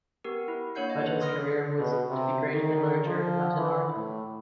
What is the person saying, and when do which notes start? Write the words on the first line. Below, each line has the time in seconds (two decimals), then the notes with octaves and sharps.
But his career was to be great in literature, not in art.
0.24 B3 G4 A#4
0.48 E4
0.75 A#3 D4 C#5 F#5 G6 C7
0.90 D#5
1.06 B4
1.21 C6 D#6 F6 A#6
1.79 B2
2.09 C3
2.53 D#3
3.06 F3
3.56 E3
3.95 A2